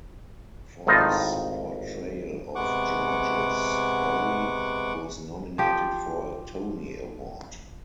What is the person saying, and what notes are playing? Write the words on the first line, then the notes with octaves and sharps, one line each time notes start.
For his portrayal of Georges, Barry was nominated for a Tony Award.
G#1 A2 D#4 F4 D#5 A5
C3 G#3 B3 F#5 C#6 D6
F3 G4